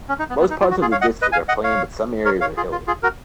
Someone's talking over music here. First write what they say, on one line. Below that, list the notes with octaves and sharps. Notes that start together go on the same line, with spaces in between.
Most parts of the district are plain but some areas are hilly.
C#4
D#4
B3
B3
D#4
F4
F#4
F4 G#4
C#5 F5
D#5 F#5
B4 D#5
F5 G#5
D#5 F#5
C#5 F5
A#4 C#5
C#5 F5
F4 G#4
F4
F4 G#4
F#4 A#4